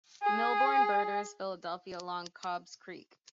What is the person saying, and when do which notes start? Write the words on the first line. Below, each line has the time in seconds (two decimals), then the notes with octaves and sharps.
Millbourne borders Philadelphia along Cobbs Creek.
0.23 G#4